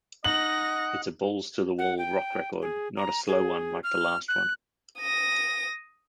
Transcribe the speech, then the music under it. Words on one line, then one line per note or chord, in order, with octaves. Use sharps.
It's a balls-to-the-wall rock record, not a slow one like the last one.
D#4 D#5 F#5 A#6 F#7
F#5
G5
G#4
A#5
G#4
F6
F#6
D#6 A#6